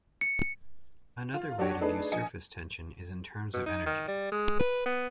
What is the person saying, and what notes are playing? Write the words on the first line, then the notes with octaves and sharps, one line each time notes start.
Another way to view surface tension is in terms of energy.
C#7
F4
F#3 D4 F#4 G4 C#5
A3 D4 D#4 G#4 B4
A#1 D#5 G#5 C#7
B2
D#4
D#3
G3
G#3
B4
B3